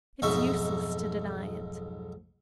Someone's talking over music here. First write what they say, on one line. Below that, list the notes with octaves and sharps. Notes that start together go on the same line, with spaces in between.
It's useless to deny it.
B1 F2 G#2 D#4 E5 C#6